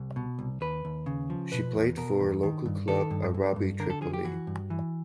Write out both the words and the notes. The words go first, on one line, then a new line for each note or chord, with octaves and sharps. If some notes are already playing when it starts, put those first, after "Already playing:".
She played for local club Arabi Tripoli.
Already playing: C2
B2
C2
D#2 B4
D#2
C#3
F3
B2 B4
E2
B2 A#4
E2
D#3
G2
D#3 A4
G2
G2
G2
D3 A#4
A4
F3 G#4
G4
E3 F#4
G2
E3